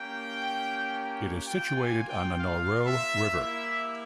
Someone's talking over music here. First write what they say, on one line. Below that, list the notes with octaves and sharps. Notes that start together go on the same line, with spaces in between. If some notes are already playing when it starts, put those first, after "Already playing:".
It is situated on the Noireau River.
Already playing: A#3 C#4 G4 G5
A#3 F4 G5
G#5
G5
F5
E5
A#3 E4 G4 E5